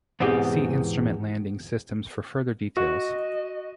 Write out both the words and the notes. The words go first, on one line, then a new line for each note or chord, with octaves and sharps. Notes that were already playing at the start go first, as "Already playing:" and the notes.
See instrument landing system for further details.
E2 G#2 B2 C4 G4 G#4
F#4 D#5